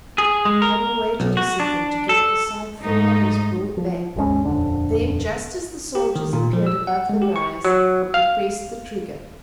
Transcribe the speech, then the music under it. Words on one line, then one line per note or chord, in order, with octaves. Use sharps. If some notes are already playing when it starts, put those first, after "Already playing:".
Hadden waited a second to get the sight fair on his broad back, then just as the soldiers appeared above the rise he pressed the trigger.
G#4
G#3
A#4
B1
F#4
D4
A4
G#2 A3 D#4 D#5
F3
G#1 D#2 G#3 C#4
D#1 F2 D3 D4
G4
D#3
A#2
F3
E6
F#5
G#3
G4
C#6
F#3
F5